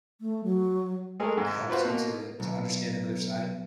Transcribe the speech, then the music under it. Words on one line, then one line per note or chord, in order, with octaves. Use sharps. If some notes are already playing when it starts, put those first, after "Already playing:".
helps you to to understand another side,
A3
F#3
G#3 A3 G#4 A#4
G#2
F4 F#4 B4 C5
B2 A#3 A#5
B1